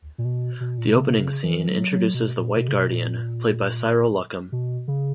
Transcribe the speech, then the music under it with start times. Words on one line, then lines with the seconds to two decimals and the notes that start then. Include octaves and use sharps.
The opening scene introduces the White Guardian, played by Cyril Luckham.
0.18 A#2
0.25 B2
0.60 B2
0.78 A#2
0.87 B2
0.96 C#3
1.15 B2
1.19 C#3
1.44 E3
1.59 E3
1.67 F#3
1.91 F#3
2.14 B2
2.38 A#2
2.56 B2
2.68 C#3
2.74 B2
2.92 A#2
4.52 B2
4.88 C#3